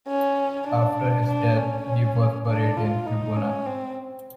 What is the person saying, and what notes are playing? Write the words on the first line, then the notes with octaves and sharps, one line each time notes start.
After his death, he was buried in Kubuna.
C#4
D4
D4
C#4
D4
F4
D#4
C#4
C4